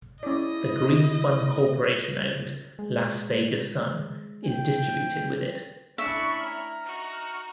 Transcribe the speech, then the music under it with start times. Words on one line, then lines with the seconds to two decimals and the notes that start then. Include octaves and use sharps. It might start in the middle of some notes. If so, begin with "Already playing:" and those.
The Greenspun Corporation-owned "Las Vegas Sun" is distributed with it.
0.23 C#4 E4 D5 D#5
2.79 G#3
4.46 G5
5.98 A3 C#4 D4 E4 D5 E5 C#6
6.40 A#5 F6
6.84 D#4 F#4
7.12 F6